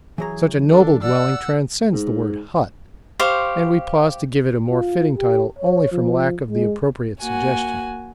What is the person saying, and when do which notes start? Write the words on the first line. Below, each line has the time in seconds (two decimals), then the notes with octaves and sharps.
Such a noble dwelling transcends the word 'hut,' and we pause to give it a more fitting title only from lack of the appropriate suggestion.
0.18 E3 F#3 G#4 A#5
0.70 D4 A4
1.02 D5 F#5 E6
1.93 G#2
3.19 G4 C5 F5 C#6
4.69 F4
5.18 G4
5.59 C#5
5.92 F3
6.51 G#3
7.20 A#3 F#4 G#5